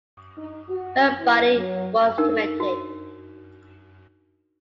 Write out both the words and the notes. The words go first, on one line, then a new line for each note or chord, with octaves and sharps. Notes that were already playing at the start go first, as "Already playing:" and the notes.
Her body was cremated.
D#4
F#4
E3
F#3
D4 D#4 A#4 E6
F#4